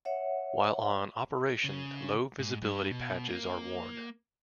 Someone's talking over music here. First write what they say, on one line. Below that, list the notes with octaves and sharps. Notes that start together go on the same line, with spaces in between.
While on operation, low-visibility patches are worn.
C#5 E5 F#5
C#3
G#2
G2
B2
A#3